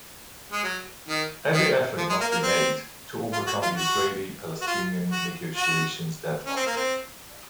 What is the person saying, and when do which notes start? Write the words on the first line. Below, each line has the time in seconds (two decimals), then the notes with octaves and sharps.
Every effort must be made to overcome the Israeli-Palestinian negotiations deadlock.
0.52 G#3
0.63 F#3
1.08 D#3
1.53 D#3
1.98 F3
2.10 G#3
2.21 A#3
2.31 A#3
2.43 C4
3.33 F4
3.47 F#4
3.62 F4
3.78 F#4
4.62 F#4
4.67 F4
5.12 F#4
5.57 F#4
6.46 C#4
6.56 C4
6.67 A#3
6.76 C4